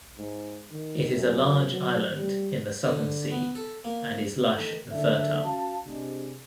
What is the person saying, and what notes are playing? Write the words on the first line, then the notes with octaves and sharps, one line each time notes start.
It is a large island in the Southern Sea and is lush and fertile.
G#2
D#3
F#2
F#3
G3
D3
B3
A4
A#3
A1 D#3 A4
F#1 D3 A4 D5 E5
C#4 F#4 F5 A5
C3 G#3 D4